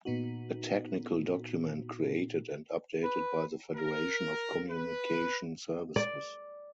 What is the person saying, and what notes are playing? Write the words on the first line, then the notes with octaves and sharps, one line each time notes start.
A technical document created and updated by the Federation of Communication Services.
A#2 B3 D#4 F#4
B4
A#4
B4
D5